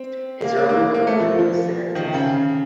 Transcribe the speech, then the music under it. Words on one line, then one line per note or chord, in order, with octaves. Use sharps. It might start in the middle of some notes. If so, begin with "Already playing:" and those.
His Roman equivalent was Senectus.
Already playing: C4
A#3
A#3
A#3
A#3
A3
F3
F3
D#3
C3
C#3
C#3